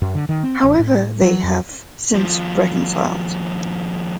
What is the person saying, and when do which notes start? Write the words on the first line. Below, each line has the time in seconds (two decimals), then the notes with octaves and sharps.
However, they have since reconciled.
0.02 F#2
0.15 D3
0.29 D#3
0.43 C4
0.63 A1
0.79 A2
1.21 F#3
1.43 F2
2.13 D#2 F3